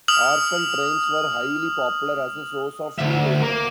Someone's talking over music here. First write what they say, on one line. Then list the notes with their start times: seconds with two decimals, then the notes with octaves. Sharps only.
Orphan trains were highly popular as a source of free labor.
0.08 D#6 F6 F#7
2.99 D2 E5
3.42 A#3